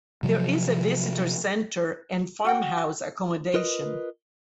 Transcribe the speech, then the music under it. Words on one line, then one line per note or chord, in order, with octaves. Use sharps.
There is a visitor centre and farmhouse accommodation.
C3 F3 F#3
F#4 F#5 G5
F4 A#4 B4 D#5